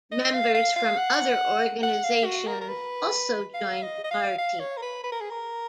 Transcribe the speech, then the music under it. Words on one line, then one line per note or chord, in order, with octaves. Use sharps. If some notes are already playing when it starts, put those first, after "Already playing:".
Members from other organisations also joined the party.
D#5
F5
F5
F5
F#5
F#5
F5
F#4
A#4
A#4
B4
F5
D#5
D#5
F5
F5
C#5
A#4
B4
B4
A#4
G#4
A#4